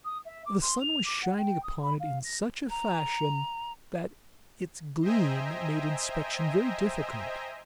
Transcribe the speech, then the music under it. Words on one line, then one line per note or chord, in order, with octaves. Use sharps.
The sun was shining upon it in such a fashion that its gleam made inspection very difficult.
D#6
E5
D6
C6
F7
D6
F#5
G5
D#6
B5
F5
A#6
A#5
C5 D#5 E5 G5 G#5 A#5